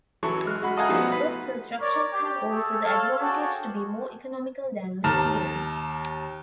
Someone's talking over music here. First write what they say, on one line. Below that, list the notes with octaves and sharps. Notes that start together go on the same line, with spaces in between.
Those constructions have also the advantage to be more economical than little buildings.
E3 F#3 A4 C#6
G#3 F6 F#6
G#3 F#4 B5
A4 D#5 F5 F#5 G#5 A#5
F3 G3 A3 B3 D#4 F#4
B4
A#4 C#5 D5
G4
A3 G#4 A4
A4 C#5 F5
D4 F#4 G#4 C#5 G5 A5
D#2 A5 A#5 F6